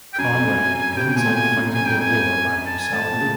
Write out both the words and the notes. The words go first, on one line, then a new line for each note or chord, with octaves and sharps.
Conrad ends up fighting the war by himself.
G5
F#2 G#5
F2
F#2
C3 G5
B2
A#2 G#5
A2
G#5
F#2
F2 G#5
F#2 G5
F2
G#5
A5
G#5
A2 A5
A#2
C#3